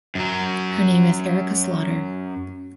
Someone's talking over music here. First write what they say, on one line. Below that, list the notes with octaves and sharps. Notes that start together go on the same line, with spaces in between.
Her name is Erica Slaughter.
F#2 F#3